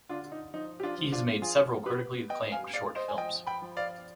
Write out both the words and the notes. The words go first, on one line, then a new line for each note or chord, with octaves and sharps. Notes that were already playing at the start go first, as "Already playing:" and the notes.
He has made several critically acclaimed short films.
D3 D4 F4
D#4
F3 D#4
G4
D4 F4
F3
D4 F4
F3 F4 G#4
B3 G4 B4
B3 D#5 G5
F5 G#5
G#3 D5 F5
C5 D#5
G#5
F3 D#5 G5
G5 B5
F3
D5 F5